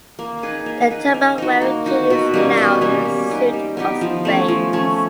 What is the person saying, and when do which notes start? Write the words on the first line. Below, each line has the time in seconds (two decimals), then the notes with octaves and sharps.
The turban wearing king is now in the suit of spades.
0.19 A#3
0.43 D#4 G#4 B4
0.66 A#3
0.90 D#4 G#4 B4
1.14 A#3
1.38 D#4 F#4
1.61 A#3
1.86 D#4 F#4
2.10 B2
2.34 G3 A#3 C#4
2.57 B2
2.81 G3 A#3 C#4
3.05 G3
3.29 B3 D#4 G4
3.53 G3
3.77 B3 D#4 G4
4.01 F3
4.25 A3 C#4
4.48 F3
4.73 A3 C#4